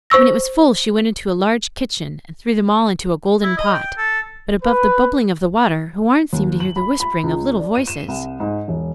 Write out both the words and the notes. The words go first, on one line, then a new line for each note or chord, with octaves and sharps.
When it was full she went into a large kitchen and threw them all into a golden pot; but above the bubbling of the water Houarn seemed to hear the whispering of little voices.
C5 C#6 E6 A#6
E4
D#5
G5
A4
B4
D#2
F#7
B5
B5
C#2
D5
D#7
E7
C2
G#2
E1